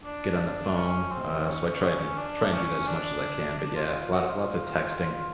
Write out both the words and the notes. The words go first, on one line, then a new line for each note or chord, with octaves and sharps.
get on the phone, uh, so I try and try and do that as much as I can, but yeah, lotta lots of texting.
D4
C#4
C4
C#4
D4
C#4
D4
D4
F4
F4
F#4
F4